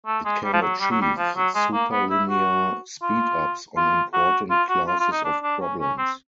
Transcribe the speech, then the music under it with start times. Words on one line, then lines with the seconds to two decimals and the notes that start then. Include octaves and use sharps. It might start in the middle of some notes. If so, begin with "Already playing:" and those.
It can achieve super linear speed-ups on important classes of problems.
0.06 A3
0.25 G#3
0.44 G3
0.53 F3
0.62 F#3
0.81 G3
0.91 F#3
1.02 G3
1.18 F3
1.36 F#3
1.55 G#3
1.73 A#3
1.92 B3
2.10 E4
2.29 F#4
3.03 F4
3.77 F4
4.14 F#4
4.51 F4
4.69 F#4
4.88 F4
5.00 F4
5.12 D#4
5.25 D4
5.43 D4
5.61 C#4
5.80 C#4
5.98 C4